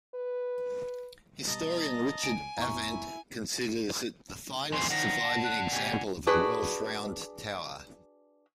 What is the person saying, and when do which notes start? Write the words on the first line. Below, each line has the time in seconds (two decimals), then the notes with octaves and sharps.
Historian Richard Avent considers it "the finest surviving example of a Welsh round tower".
0.15 B4
1.47 B2 G3 D#5 A5 A#5
2.23 C#2 G#5 D7
2.58 G#1 F2 B3 E4 A#5 C#6
4.72 F2 A2 D3 E3 C6
4.90 D#3 F3 D5 F#5 A#6
5.25 A5
5.44 F#6
5.72 B2 G4 G#5
6.27 D4 F#4 G#4 B4